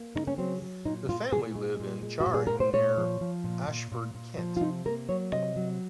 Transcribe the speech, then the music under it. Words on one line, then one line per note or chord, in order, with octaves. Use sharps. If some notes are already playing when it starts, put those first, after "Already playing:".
The family live in Charing, near Ashford, Kent.
Already playing: A#3
C#3 D#4
C#4
F#3 C4
F#3
A#2 D#4
A#2 F4
A#2 G#4
G#3
A#2
G#3
F#4
A#2
G#4
A#2 A#4
C5
A#2 C#5
F3
F3
A#2
A#2
A#2
A#2
F3
F4
C3 D#4
A#3 A#4
F#3 C#5
C3 D#5
F#3